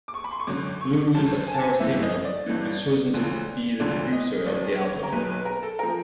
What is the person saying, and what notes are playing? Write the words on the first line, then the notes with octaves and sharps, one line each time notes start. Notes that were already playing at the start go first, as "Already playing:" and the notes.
Blues Saraceno was chosen to be the producer of the album.
D6
C#6
B5
C6
C#6
G#1 F#2 D3 F#3 D6
C#6
G#1 F#2 D3 F#3 A5
G#5
A5
G#5
G1 G2 E3 E5
D#5
D5
G1 G2 E3
E1 D2 D3 F3
E1 D2 D3 F3 D5
D#5
B1 B2 F#3 D5
C#5
A#4
B1 B2 F#3 B4
B4
A#4
A4
F3 A#4